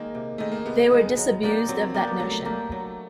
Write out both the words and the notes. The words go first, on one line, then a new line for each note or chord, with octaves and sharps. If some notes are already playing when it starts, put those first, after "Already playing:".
They were disabused of that notion.
Already playing: D#3 G#3 A#3
C3
D#3 G#3 A3
A#3
C3 B3
D#3 G#3
F#3
A#3 D4 G4
F#3 C4
C4
A#3 B3 D4 G4
B3
F#3 A3
A#3 D4 G4
F#3